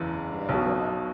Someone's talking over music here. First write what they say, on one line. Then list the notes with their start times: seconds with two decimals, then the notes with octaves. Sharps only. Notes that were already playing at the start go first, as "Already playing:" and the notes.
and, uh
Already playing: F#1 E2 C#3 E3 E4
0.49 B1
0.54 B2